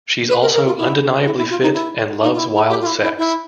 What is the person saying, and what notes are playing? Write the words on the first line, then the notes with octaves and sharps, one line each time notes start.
She's also undeniably fit and loves wild sex.
B4
A#4
A#4
F4
E4
E4
E4
F4
D#4
E4
D#4
F4
E4
E4
G4
F4
E4
E4
E4